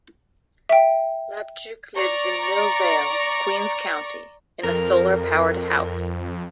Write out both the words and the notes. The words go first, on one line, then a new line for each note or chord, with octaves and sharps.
Labchuk lives in Millvale, Queens County, in a solar-powered house.
E5 G5
D5 A#5 C#6
F2 A#4